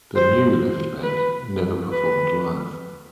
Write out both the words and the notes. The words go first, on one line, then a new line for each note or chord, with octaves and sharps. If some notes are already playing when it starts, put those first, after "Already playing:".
The "New" Left Banke never performed live.
C5
B4
B4